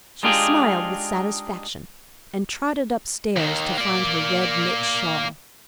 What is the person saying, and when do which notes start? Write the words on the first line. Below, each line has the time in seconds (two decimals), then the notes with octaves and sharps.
She smiled with satisfaction, and trotted upstairs to find her red knit shawl.
0.23 G#3 D4 D#4 F4 G4 G#4
3.36 D#2 D#3
3.78 A#3 D5